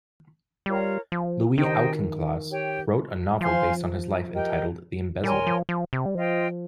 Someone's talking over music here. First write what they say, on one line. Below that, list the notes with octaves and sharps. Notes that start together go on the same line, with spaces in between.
Louis Auchincloss wrote a novel based on his life entitled "The Embezzler".
G3 F4 A#4 C#5
F3
D#3 D#4 G4 C5 G5
G4 C#5 G5
F3 C5 F5 G#5 C6
G4 A#4 D#5 G5
G3 A#4 C#5 G#5 C6
F3
F3
C3
G3
F3 F4 C5 D#5 G5